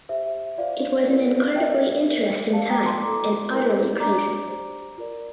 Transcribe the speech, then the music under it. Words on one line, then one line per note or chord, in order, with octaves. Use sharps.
It was an incredibly interesting time and utterly crazy.
G4 C5 E5
F4 C5 D5 F5
E4 G4 A#4 D5
F4 A#4 D5 E5 G5
D4 G4 A#4 D5
G4 D5 F5 A5
G5 A#5
A5 C6
E4 A4 D5 A#5 D6
E4 G4 A#4
D4 G4 D5 A#5 D6
D4 G4 C5
F4 A#4 D5